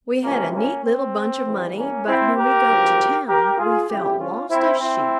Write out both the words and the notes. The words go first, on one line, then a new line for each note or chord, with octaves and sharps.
We had a neat little bunch of money, but when we got to town we felt lost as sheep.
C#2 C3 E3 G#3 A#3 C#4
A#3 C#4
C4
E2 E3 G3
A#3 C#4
C4 E4
G4 A#4
G#1 G2 F3
G4 A#4
F4 G#4
F2 C#3 G3 E4 G4
C#4 F4
C4 E4
C4 E4